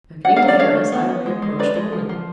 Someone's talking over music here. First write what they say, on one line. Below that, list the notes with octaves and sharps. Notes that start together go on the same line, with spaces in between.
Beckoning to Harris, I reapproached the woman.
D4 F#5
F5
F#3
D5
D4 C#5 F5
A3
B3
B3
G#3
G#3
F3 B4 D5
G#3
F3
F3